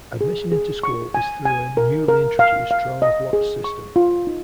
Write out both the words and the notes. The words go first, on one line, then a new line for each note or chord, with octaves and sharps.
Admission into school is through a newly introduced draw of lots system.
G#4
G#4
C#6
G#5
G#5
A#4
A#4
F5
F5
D#5
G#4
C#6
F4
D#4